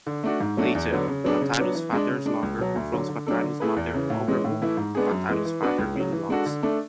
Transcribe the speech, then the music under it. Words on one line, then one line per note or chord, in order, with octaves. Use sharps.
Later, Wataru's father's lover confronts Wataru's mother over who Wataru's father really loves.
D3
A3 D4 F#4
G#2
F#3 A3 D4 F#4
E2
D3 F#3 B3
C#3
F#3 B3 D4 G#4
C#3
F#3 B3 D4
E3
G#3 D4
C#3
G#3 D4
C#2
B2 F#3
D2
D3 F#3
D3
F#3 A3 D4 A4
D3
A3 E4 G#4 B4
E2
C#3 E3
A2
E3 G#3 C#4
A2
E3 A3 E4
G#2
G#3 B3 D4 G#4
F#2
E3 G#3
E3
B3 D4 F#4 B4
C#2
C#3 F#3
E3
G#3 D4 F#4 A4
D3
A3 D4 A4